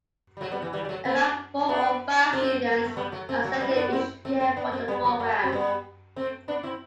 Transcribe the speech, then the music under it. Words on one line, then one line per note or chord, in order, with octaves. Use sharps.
About four or five students are selected each year for the program.
G3
F#3 A3
G3 B3
E3
E3 G3
G3
F#3 A3
A3 C4
B3 D4
A3 C4
A3
G3 B3
F#3 A3
A3 C4
F#3 A3
G3 B3
E4
B3 D4
C4 E4
A3 C4
A3 C4
B3 D4
A3 C4
G3 B3
F#3 A3
F#3 A3
C4
G3 B3
A3 C4
B3 D4
C4 E4